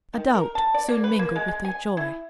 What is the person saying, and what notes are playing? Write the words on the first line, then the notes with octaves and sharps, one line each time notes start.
A doubt soon mingled with their joy.
D#3
A#4
A5
D5
A#3
B4
A#3
G#3
G#3
G#5
E4